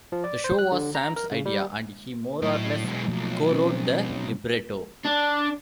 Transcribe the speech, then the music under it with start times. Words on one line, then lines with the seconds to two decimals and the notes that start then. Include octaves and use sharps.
The show was Sam's idea, and he more or less cowrote the libretto.
0.12 F3
0.24 D5
0.44 C5
0.59 F#6
0.72 D3
0.95 A#5
1.16 A#4
1.32 C#3
1.46 G3
2.42 A2 F#3
2.85 B2 G#3
3.08 B1 F3 A3 A#3
3.50 C4 C#4
5.05 D4